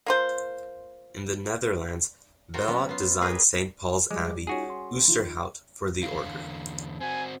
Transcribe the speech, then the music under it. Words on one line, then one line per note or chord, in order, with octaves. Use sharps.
In the Netherlands Bellot designed Saint Paul's Abbey, Oosterhout, for the Order.
A#3 F4 C5
F4 F#4 A#4 G5
F#3 B3 C#4
B3 F4
G4 G#4 A#4 B4
F3 G3 G#3 G#4 D6
C#4 D#4 F4 F#4 G#4
C6
D#3 F3 F4
E2 D3 F5
C4 F#4 G#5